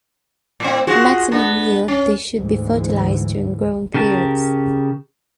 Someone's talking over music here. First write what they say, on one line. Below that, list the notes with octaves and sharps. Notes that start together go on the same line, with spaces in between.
For maximum yield, they should be fertilized during growing periods.
A2 C4
F4 F#4 G#4
B3 D4
C#4
D2 G#2 E3
C#3 G4 A#4 A5